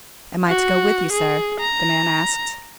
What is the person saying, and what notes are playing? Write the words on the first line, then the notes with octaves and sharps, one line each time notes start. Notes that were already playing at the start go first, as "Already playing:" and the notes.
"Am I to go with you, sir?" the man asked.
F#4
G#4
A#5